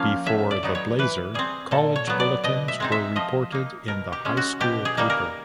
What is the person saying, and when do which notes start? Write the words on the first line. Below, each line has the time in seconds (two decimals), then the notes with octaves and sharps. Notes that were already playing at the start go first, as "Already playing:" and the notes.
Before "The Blazer", college bulletins were reported in the high school paper.
Already playing: F3 A#3 C#4 F5
0.26 A2 E5
0.51 D5
0.63 F#3 B3 D#4
0.75 C#5
0.99 E3 B4
1.34 G3 C4 G#4
1.71 A#2 A4
1.96 C#5
2.07 F#3 B3
2.20 D5
2.44 B2 D#5
2.68 E5
2.80 G#3 C4 D#4
2.92 E5
3.16 F3 D#5
3.52 A#3 D#4
3.88 B2 A#4
4.13 G4
4.25 G#3 C#4
4.37 F#4
4.60 B2 G4
4.85 G#4
4.97 G3 A#3 D#4
5.10 A#4